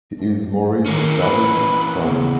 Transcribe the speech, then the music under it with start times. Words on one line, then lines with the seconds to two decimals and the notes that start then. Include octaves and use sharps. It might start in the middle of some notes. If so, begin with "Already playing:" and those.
He is Maurice David's son.
0.86 D#3 E3 A#3 C#4
1.22 B4 B5
2.05 C#3 B3